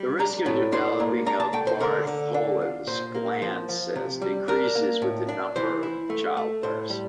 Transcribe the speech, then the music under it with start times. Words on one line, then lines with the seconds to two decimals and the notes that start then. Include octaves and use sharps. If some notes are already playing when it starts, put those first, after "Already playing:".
The risk of developing a Bartholin's gland cyst increases with the number of childbirths.
Already playing: G3
0.19 D4 A#5
0.46 A2
0.72 D4 C6
1.00 A#3
1.26 D4 A#5
1.40 A5
1.53 A3 G5
1.67 C5
1.80 D3 A#4
2.07 D3
2.34 D4
2.61 F4
2.87 A#2 C5
3.15 A#3
3.42 F3 C5
3.69 F3
3.96 C3
4.22 G3
4.48 D4 A#4
4.75 A#3
5.02 A2
5.29 D4
5.56 E3 C5
5.83 E4
6.10 A3
6.37 A3
6.63 A2 C5
6.90 G3